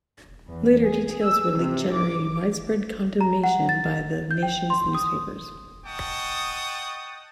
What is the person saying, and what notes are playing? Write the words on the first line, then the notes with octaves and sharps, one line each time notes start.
Later, details were leaked generating widespread condemnation by the nation's newspapers.
E2
G#4
E6
C3
D6
A#5
F#5
A6
G6
G5
C6
D#6
D#5 F#5 G5 A5 C#6 D#6